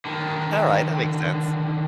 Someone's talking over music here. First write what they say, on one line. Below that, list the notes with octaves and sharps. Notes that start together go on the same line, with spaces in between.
All right, that makes sense.
D3 D#3